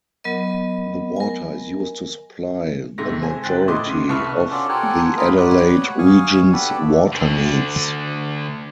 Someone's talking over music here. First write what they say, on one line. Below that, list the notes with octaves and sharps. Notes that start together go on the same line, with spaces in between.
The water is used to supply the majority of the Adelaide region's water needs.
F#3 B3 A#4 D#5
A#4 G#5
G#2 C3 A3 A#6
C5 G#5
F#1 G5 F#6 A6
A2 B3 D#5 C6 D6
C#3 D#7
C2 B4 A5 C#6 F6
C#4 D4 F4 F#4 A4 D5
G4 A4 A#4 C5 F#5 G#5
F4 A#4 B4 D#5 F5
F#4 B4 C#5 D5 F#5
F5 G#5 C#6 D#6
D4 F#4 G4 A4 B4 D5
D2 D3